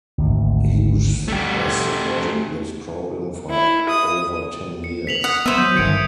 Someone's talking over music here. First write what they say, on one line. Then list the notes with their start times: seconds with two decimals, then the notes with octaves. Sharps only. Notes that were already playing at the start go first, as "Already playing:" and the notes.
Hughes has supported this program for over ten years.
0.18 G#1 D2
1.28 G3 A3 G4
3.50 E4
3.89 D#6
4.84 C#7
5.07 B6 F7 F#7
5.24 F#5 D#6 C#7
5.46 B3 C5 E5 D#7
5.58 F#3 G6
5.75 G1 D#3 G#6 C#7 D7